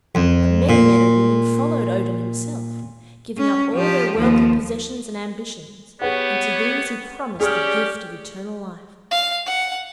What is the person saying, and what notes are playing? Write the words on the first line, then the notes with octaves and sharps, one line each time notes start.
But many men and women followed Odin himself, giving up all their worldly possessions and ambitions; and to these he promised the gift of eternal life.
F2
A#2
C#4
F3 G4
D#2 F3
B3 G4 G#4 B4 C#5 F#5
C#4 G4 G#4 D5 F6
F5
F#5